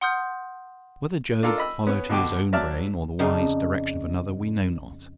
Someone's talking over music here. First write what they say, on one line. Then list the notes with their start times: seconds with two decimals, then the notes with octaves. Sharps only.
Whether Job followed his own brain, or the wise direction of another, we know not.
0.01 F#5 C6 D#6 F6 G6
1.43 D4 F4 A4 A#4
1.58 D#5 B5 E6
1.87 B3 C#4
2.10 B2 D3 G5 D6
2.53 F#3 D5 E5 A5 F6
3.19 F2 C#3 D4 D#4